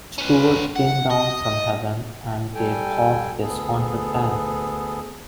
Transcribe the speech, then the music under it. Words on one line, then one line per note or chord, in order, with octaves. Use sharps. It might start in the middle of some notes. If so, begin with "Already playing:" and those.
Stuart came down from Heaven and gave Hawk his Haunted Tank.
C#4 B4
F#5
D#5
G3 A4 G5 G#5
D2 B3 G#4 A4